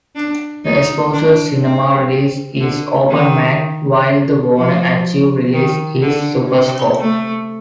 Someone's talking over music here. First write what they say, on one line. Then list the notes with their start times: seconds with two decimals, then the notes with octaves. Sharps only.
The Exposure Cinema release is open-matte, while the Warner Archive release is in Superscope.
0.16 D4
0.65 D#4
1.13 D4
1.62 C4
2.61 D3
3.09 D#3
4.56 F3
5.53 D#3
6.02 D3
6.51 C3
7.01 A3